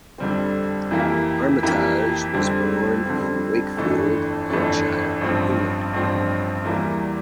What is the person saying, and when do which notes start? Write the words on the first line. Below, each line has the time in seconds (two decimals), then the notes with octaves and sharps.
Armitage was born in Wakefield, Yorkshire, England.
0.18 F2 D3 G3 C4
0.91 F2 E3 A#3 E4 G4
1.62 F2 E3 A#3 E4 G4
2.34 F2 D3 G3 C4
3.06 F2 D3 G3 C4
3.77 G1 F2 E3 A3 D4
4.50 G1 F2 E3 A3 D4
5.21 A1 G2 F3 C4
5.93 A1 G2 F3 C4
6.65 E2 E3 G3 A#3 E4